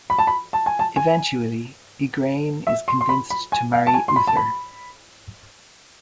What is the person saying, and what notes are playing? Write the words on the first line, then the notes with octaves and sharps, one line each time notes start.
Eventually Igraine is convinced to marry Uther.
B5
A5
B5
A5
G#5
A5
G#5
E5
C6
C6
B5
B5
G#5
F5
A5
G#5
C6
B5
A5
B5